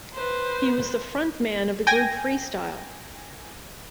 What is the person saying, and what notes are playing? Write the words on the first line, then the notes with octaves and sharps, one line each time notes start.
He was the frontman of the group Freestyle.
B4 C5
G5 G#5 A#6